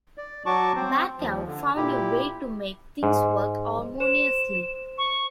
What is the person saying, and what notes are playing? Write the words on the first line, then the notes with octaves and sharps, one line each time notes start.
Baca found a way to make things work harmoniously.
D5
F#3 F#4 A5 C#6 D6
C4 C5
D#2 F3
D3
A#2 E4 G4
G#2
C5 E7
C#6